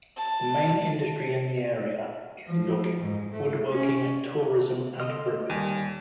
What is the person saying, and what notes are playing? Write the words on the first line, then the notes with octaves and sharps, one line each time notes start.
The main industry in the area is logging, woodworking, tourism, and brewing.
A5
F3
G#2
A3
C#4
D3 A4 D#5 C6 F6
D#2 G3 G#5